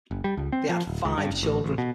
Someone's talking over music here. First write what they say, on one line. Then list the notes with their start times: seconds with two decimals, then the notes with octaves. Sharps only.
They had five children.
0.11 F#1
0.24 G3
0.37 C#2
0.52 C4
0.69 F3
0.87 D1
1.05 C#2
1.18 G2
1.30 F#1
1.43 A1
1.64 A1
1.78 B2